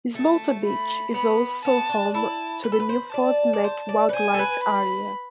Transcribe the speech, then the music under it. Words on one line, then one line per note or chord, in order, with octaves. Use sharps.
Slaughter Beach is also home to the Milford Neck Wildlife Area.
A3 A5
B5
B3 B5
B3 A5
D4
E4 A5
B4 B5
A4
B4
C5
D5 A5
D5
C5
D5
B4
C5 G#5
A4
B4
B5